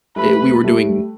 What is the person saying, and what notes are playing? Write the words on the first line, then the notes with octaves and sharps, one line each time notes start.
i we were doing
G3 A3 B4
G3 A3